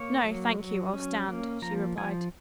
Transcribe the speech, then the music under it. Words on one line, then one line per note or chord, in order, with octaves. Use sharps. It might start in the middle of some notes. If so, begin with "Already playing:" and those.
"No, thank you, I'll stand," she replied.
Already playing: A#3 C#5
F#3
F#3
C#4
A#3
F3 A#5
F3 G#5